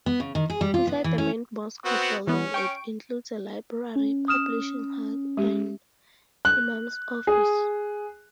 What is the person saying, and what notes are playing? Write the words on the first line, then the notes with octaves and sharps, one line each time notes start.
Besides the main mosque building it includes a library, publishing house and Imam's office.
B3
C#3
D#3
G#4
G3
F4
B3
E3
C#4
B3 C4 F#4
E3 B3 C#4
G5 C#6 D7
C#4
D#6 F6 E7
G#3 G4
F#6
G#4